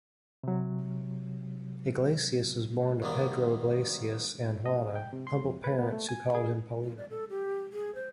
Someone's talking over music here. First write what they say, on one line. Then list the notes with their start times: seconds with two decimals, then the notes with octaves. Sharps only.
Iglesias was born to Pedro Iglesias and Juana, humble parents who called him Paulino.
0.44 C3 F#3
3.02 A#1 G2 D#3 A#3 B3 D4
4.66 D#5
4.95 G5
5.13 C3
5.27 C6
5.44 F2
5.64 B4
5.79 B3
5.92 A3
6.09 G#5
6.35 G#4
6.84 F4
6.98 D5
7.10 A4
7.30 G4
7.73 G#4
7.95 C5